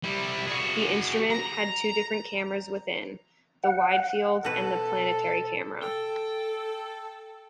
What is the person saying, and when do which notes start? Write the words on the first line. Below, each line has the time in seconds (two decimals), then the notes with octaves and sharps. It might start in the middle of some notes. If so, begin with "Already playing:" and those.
The instrument had two different camera's within, the Wide Field and the Planetary Camera.
0.04 G3 E4
0.47 F#4 G#4
1.31 A#5
3.64 F#5
4.45 B2 F#4 A4 B4
5.82 A4 G5